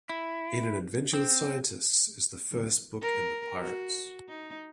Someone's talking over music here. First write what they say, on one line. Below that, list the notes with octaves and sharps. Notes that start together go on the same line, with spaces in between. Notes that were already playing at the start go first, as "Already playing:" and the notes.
In an Adventure with Scientists is the first book in The Pirates!
E4
C4
A#4
F#4
D#4